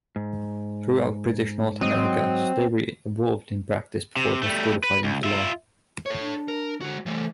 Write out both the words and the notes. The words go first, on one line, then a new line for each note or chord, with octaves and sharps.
Throughout British North America, slavery evolved in practice before it was codified into law.
G#2
F#3 C4 D#5
C3
G3 A3
B4
C#2
F4 E5
A4 C#5
D4
A#4
D3 G#3 F#4
E3 G3 A3